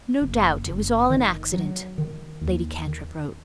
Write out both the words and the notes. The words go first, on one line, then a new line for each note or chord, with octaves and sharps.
"No doubt it was all an accident," Lady Cantrip wrote.
F#1
F#1
D#3
F#3
D#3
D#2
D#3